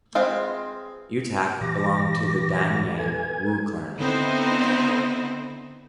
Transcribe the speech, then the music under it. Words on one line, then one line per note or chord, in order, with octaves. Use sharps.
U Tak belonged to the Danyang Woo clan.
G#3 C4 F4 B4 F5
A#2 E3 G4 D6 A#6
A4 B4 G#5 G#6
D3 B3 C4 D#4 E4 C5